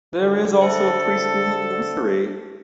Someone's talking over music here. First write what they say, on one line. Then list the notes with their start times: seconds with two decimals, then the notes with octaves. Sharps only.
There is also a pre-school and a nursery.
0.22 D3
0.61 A4 C5 E5 A5